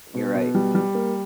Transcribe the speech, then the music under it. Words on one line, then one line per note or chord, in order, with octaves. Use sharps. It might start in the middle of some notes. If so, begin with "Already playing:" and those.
You're right.
B2
B2
G3
G3
A#3